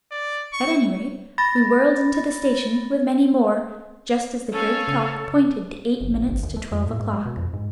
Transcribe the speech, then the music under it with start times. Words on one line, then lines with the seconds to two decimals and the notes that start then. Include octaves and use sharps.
At any rate, we whirled into the station with many more, just as the great clock pointed to eight minutes to twelve o'clock.
0.11 D5
0.53 C#6
1.38 B5 A6 A#6
4.52 C#4 A4 F5
4.88 C#3
6.01 F#1
6.15 A#1
6.29 G1
6.43 D#2
6.56 A3
6.72 F2
6.86 A2
6.99 G#2
7.13 G#3
7.25 B2
7.37 F2
7.53 G#2